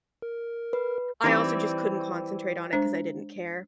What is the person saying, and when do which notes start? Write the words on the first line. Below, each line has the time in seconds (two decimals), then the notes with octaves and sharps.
I also just couldn't concentrate on it 'cause I didn't care.
0.22 A#4
0.73 B4
1.24 E3 G3 C4 D#4
2.73 G#3 D4 C5